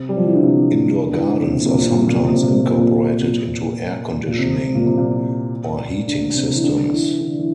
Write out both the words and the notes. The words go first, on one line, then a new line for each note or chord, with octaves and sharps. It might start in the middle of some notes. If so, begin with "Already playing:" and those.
Indoor gardens are sometimes incorporated into air conditioning or heating systems.
Already playing: C3
G3
F3
E3
D3
C3
D3
E3
D3
C3
A#2
C3
A#2
C3
A#2
C3
A#2
C3
A#2
C3
A#2
C3
A#2
C3
A#2
C3
A#2
A#2
C3
C3
A#2
C3
A#2
D3
C3
E3
D3
E3
D3
E3